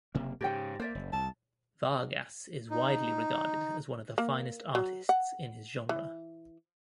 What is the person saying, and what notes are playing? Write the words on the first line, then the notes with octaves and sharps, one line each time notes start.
Vargas is widely regarded as one of the finest artists in his genre.
F#1 C3 A#3
G#2 C#3 G4 C#5 G5
A#3 C5 D5 E5
F#1
C2 A5
D#4
A#3
F#3
F#5
E3